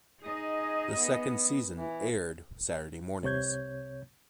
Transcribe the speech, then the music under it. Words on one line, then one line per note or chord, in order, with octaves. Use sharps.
The second season aired Saturday mornings.
D#4 G#4 D#5
B3
E3
C2 C3 C#5 G6 G#6